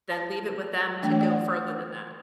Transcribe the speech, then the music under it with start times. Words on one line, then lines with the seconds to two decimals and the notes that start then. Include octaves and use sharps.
then leave it with them to go further than that.
0.11 A5
1.02 E3 A3 D4 G5
1.11 C#5
1.21 D5
1.30 F#5